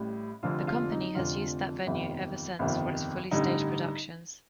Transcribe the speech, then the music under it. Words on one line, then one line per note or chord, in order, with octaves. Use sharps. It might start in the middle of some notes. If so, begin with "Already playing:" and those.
The company has used that venue ever since for its fully staged productions.
Already playing: A1 A2 G3
F1 F2 D3 F3 F4
F4
D#4
F1 F2 D3 F3 F4
G1 F2 C3 D#3
G1 F2 C3 D#3
A1 G2 D3 G3 D#4